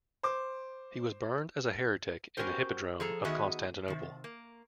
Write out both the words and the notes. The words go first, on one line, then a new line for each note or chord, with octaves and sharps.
He was burned as a heretic in the hippodrome of Constantinople.
C5 D6
B3 C#4 F#4 G4 A#4 C5
F3 G#4 A4 A#5
D#3 B3 F#4 G#4 D#5 E5
C3 D#3
A#3